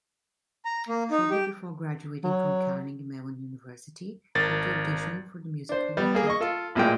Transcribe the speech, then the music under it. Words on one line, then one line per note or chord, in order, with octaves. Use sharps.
Shortly before graduating from Carnegie Mellon University, Hilty auditioned for the musical "Wicked".
A#5
A#3
D#4
G4
F#3
G#1 A#4 A6
D4 C5
G3 B3
A#3 G#4
D#5 C#6
F4 A4
A1 A#2 G#3 G5